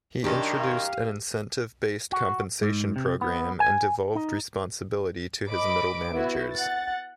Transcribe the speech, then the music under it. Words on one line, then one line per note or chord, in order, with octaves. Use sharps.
He introduced an incentive-based compensation program and devolved responsibility to his middle managers.
F#2 D#3 D4 G4
F5
F#4
G#2
C3
B3
G#5
D#4
D#5 B5 D6 D7
B3 E4 F#4
F#5 A6